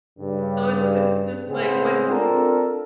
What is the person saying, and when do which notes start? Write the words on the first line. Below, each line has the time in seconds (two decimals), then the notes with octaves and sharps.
So it's it's just, like, when he's
0.19 G2 C#3
1.47 A2 C#3 G#3 B3 C4 G#4
2.10 C4 D4 F4 A4 A#4